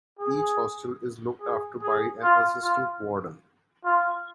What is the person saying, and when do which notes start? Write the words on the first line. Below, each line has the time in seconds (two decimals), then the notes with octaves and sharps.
Each hostel is looked after by an assistant warden.
0.19 G#4
1.41 G#4
1.82 G#4
2.23 F4
2.62 F4
3.85 F4